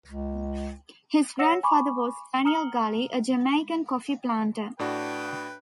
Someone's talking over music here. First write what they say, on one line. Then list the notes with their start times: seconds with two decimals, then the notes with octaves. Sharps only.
His grandfather was Daniel Gully, a Jamaican coffee planter.
0.06 C#2
1.39 C#5 F#5 E6 A#6 C#7 E7
1.63 G#5 B5 C#6 D6
2.45 A#5 D#6 F6 C#7 F#7 G7
4.79 A2 D4 F#4 B4 G5